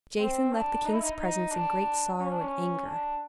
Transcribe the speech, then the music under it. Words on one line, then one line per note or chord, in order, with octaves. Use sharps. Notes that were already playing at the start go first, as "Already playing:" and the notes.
Jason left the king's presence in great sorrow and anger.
C4
D4
D#4
E4
D#4
D#4
D4
C#4
D4
C#4
D4